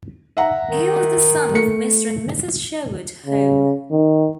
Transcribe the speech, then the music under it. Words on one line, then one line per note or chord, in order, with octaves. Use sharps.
He was the son of Mr. and Mrs. Sherwood Hough.
E5 F#5 A#5
D#3
A3 C#7
C#3
D#3